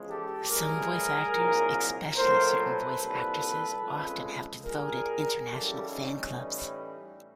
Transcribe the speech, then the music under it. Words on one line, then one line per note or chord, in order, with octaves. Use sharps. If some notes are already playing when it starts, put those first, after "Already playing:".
Some voice actors—especially certain voice actresses—often have devoted international fan-clubs.
Already playing: E2 C#3 F3 G#3
G4 A4
A2 E3 G3 G#4 A#4
C2 A#2 F#3
A#2 F#3 A3 A#4 C5
A4 B4
C2 A#2 G3
F2 C#3 F3 G#3
A#2 G3 G#4 A#4
F#2 C#3 E3 G3 G4 A4
C#4 D#4
A2 E3 G3